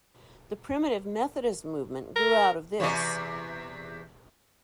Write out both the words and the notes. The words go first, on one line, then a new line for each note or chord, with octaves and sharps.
The Primitive Methodist movement grew out of this..
A#4
E2 C3 D5